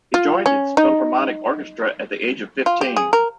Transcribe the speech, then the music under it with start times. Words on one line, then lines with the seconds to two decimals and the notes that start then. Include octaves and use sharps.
He joined its Philharmonic Orchestra at the age of fifteen.
0.14 F4
0.46 C#4
0.77 D#4
2.66 F4
2.81 G4
2.96 G#4
3.13 A#4